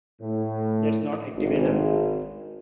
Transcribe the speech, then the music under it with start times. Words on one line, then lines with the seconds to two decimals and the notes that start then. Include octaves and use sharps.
That's not activism.
0.22 A2
1.35 G#1